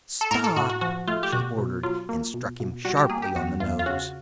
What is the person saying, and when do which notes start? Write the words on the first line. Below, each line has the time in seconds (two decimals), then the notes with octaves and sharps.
"Stop!" she ordered, and struck him sharply on the nose.
0.21 A4
0.31 A2 A#4
0.44 A4
0.56 A2 F#4
0.70 F#4
0.81 F3 F#4
1.08 A3 F4
1.23 G4
1.32 B2 F#4
1.58 B2
1.83 F#3 F4
2.09 A#3
2.34 B2
2.60 B2
2.85 G3 F#4
2.97 G4
3.09 A#3 G#4
3.22 G4
3.35 E2 F#4
3.60 E2 F4
3.79 F4
3.86 C#3 F#4